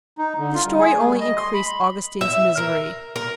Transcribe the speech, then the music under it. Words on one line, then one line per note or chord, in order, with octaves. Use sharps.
This story only increased Augustine's misery.
D#4
D3
F4
G3
G#4
A3
G3
D#5
C6
B5
E5
A#4
A#4